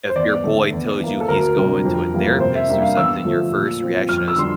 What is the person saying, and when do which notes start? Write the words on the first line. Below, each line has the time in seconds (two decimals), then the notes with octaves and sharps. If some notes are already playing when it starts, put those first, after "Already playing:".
if your boy tells you he's going to a therapist, or something, your first reaction is,
0.09 C5
0.16 E2 D5
0.44 D3 A3
0.73 E2
1.00 E3 A#3
1.20 A4
1.28 D2 A#4
1.56 C3 G3 D4
1.85 F2
2.13 E3 G3 A#3
2.40 C3 C5
2.55 E5
2.68 G3 A#3 D4 E5
2.82 F5
2.97 E2 E6
3.25 D3 F3 A3
3.52 A#2
3.80 F3 C4
4.09 F2 F6
4.28 E6
4.36 D3 G3 D4 C6